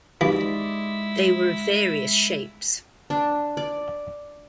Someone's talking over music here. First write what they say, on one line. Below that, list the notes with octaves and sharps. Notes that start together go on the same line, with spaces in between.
They were of various shapes.
E3 G#3 D#4 E4 F#4 G4 D5
D4
D5